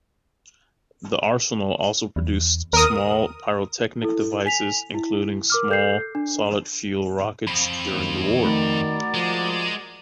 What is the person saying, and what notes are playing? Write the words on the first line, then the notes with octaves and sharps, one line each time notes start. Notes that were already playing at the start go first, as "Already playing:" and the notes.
The arsenal also produced small pyrotechnic devices including small solid-fuel rockets during the war.
E2
D#2 A#4 D#6
E4 A4
G#5 B6 F7
E4
A#4 D6 F6
A4 G6 C7
D4
F2 B5
D#2
D#3 A3 F#4 A#4 D5 B5
F3 G#3